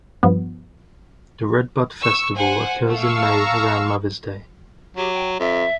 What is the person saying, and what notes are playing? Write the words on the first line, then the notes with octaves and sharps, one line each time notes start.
The Redbud Festival occurs in May around Mother's Day.
G2 F3 B3
C#6 E6
C5 F#5 G#5
A3 F5 C#6 E6
A5 A#5
F#3 G4
G5
F2 E5